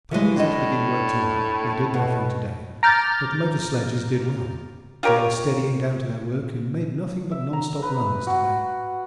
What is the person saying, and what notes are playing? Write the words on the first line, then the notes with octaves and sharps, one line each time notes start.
The ponies are to begin work to-morrow; they did nothing to-day, but the motor sledges did well--they are steadying down to their work and made nothing but non-stop runs to-day.
C#3 E3 G#3
A2 D4 D#5
B2
A#5 D6 F6 G6 A6
F4 G4 A#4 C#5
E5
A#5
B4
F#4